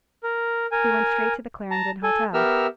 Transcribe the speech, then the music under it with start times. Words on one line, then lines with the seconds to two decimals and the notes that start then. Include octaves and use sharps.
He went straight to the Clarendon Hotel.
0.23 A#4
0.72 A#4 G#5
1.71 A5 A#5
2.03 A4 G#5
2.34 B3 G4 A#4 E5 E6 F6